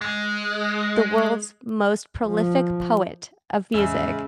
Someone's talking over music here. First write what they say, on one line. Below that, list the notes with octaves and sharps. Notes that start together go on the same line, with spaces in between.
the world's most prolific poet of music,
G#3
F3
E2 A2 C#3 G#3 E5